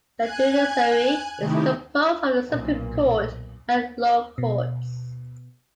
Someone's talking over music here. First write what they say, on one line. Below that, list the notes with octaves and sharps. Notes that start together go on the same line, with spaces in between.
The judiciary is composed of the Supreme Court and lower courts.
G#5 F#6 G#6
C3 D#3 A3 D#4 E4 G4
B1 A#2
B2